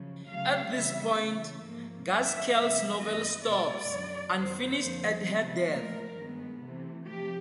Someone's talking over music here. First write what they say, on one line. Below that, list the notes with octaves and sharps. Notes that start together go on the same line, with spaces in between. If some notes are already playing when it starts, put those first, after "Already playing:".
At this point, Gaskell's novel stops, unfinished at her death.
Already playing: F#2 C#3 F3
C#3 F#3 A3 F5
C#3 E3 G3 B3 E5
C#3 E3 A3
G#2 F3 A#3
F#2 D#3 F#3 A#3 E5
C3 F3 G#3 B3 E5
G2 E3 G#3 B3 D#5
B2 G#3 B3 D5
F#2 D3 F#3
F#2 D#3 F#3 B3 C5
F2 D3 F3 A#3
C3 F3 G#3 B3
A#2 F3 A3 A#4
G2 D#3 G#3 B3
C3 E3 A3
C3 F3 A3 G4